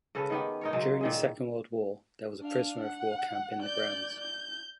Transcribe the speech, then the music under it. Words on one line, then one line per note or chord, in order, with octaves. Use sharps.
During the Second World War there was a prisoner-of-war camp in the grounds.
C#3 C#4 A4 B4
D#3 B3 G4
D#4 A#4 C#5
C#3 F#3 G#3
A#2 D#3 G#4
D4 F5
F#5
D5 G6
G6